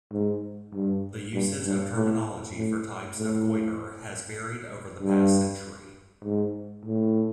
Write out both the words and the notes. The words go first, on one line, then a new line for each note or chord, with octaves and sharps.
The usage of terminology for types of goiter has varied over the past century.
G#2
G2
G2
G2
A2
A2
A2
G2
G#2
A2